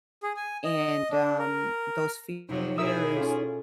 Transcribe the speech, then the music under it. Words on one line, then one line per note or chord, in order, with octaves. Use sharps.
And, um, those fears
G#4
G#5
D#5
D4
A#4
F2 C3 F#3 D#4 C#5
B2 E4 G#4 A#4 E5 D#6 E6
C#4 F4 A4